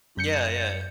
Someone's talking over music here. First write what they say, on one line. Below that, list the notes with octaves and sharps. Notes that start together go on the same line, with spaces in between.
Yeah, yeah.
F#2 G6 C#7